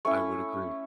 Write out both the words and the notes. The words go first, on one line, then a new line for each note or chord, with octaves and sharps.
I would agree.
A3 C#4 E4 C#6